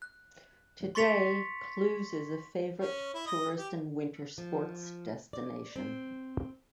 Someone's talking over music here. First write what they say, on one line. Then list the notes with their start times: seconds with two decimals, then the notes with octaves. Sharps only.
Today, Cluses is a favorite tourist and winter sports destination.
0.02 F#6
0.95 C6 C#6 A6 B6 C#7 F7
2.79 C#4
3.14 E4
3.26 D#5
3.58 G4
4.38 F3
5.33 D5
5.76 C4